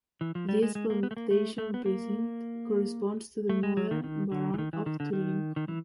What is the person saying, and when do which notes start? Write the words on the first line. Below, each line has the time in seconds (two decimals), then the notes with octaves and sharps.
This plantation precinct corresponds to the modern barony of Tullyhunco.
0.21 E3
0.35 F3
0.49 G3
0.62 G#3
0.75 G#3
0.90 A#3
1.03 B3
1.11 A3
1.17 A#3
1.31 A3
1.58 A3
1.74 B3
1.86 A#3
3.49 A3
3.63 G#3
3.77 F#3
3.91 D#3
4.04 D#3
4.32 D3
4.54 E3
4.58 D#3
4.73 E3
4.86 D#3
5.00 D3
5.13 D#3
5.56 D#3
5.68 E3